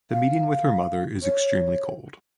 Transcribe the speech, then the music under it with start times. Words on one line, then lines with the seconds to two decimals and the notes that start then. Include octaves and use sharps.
The meeting with her mother is extremely cold.
0.11 F5
1.23 C#5